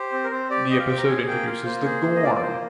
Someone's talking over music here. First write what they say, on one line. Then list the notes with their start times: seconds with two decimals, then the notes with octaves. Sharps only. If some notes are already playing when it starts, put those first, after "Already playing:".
The episode introduces the Gorn.
Already playing: G4 C5
0.12 C4
0.24 A#4
0.31 C4 C5
0.50 G4 D5
0.70 G4 D#5
0.79 F5
0.88 C4 G5
0.98 A#5
1.08 G#4 G#5
1.27 A#3 G5
1.47 F4 F5
1.65 A#3 C5
1.85 G#4
2.04 A#3
2.15 D#5
2.23 F4 D5
2.34 D5
2.42 A#3 C5